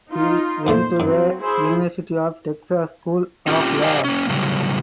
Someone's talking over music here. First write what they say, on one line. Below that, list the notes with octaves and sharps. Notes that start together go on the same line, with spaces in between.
He went to the University of Texas School of Law.
D#4 F4
F2 A#2 A3 C5
F#2 F#3 C4
E4 G#4 C5
C4 C#4 F4 G4
G4 C5 D5 D#5 F5 G#5
A#3 C#4
A2 C#3 F#3 G3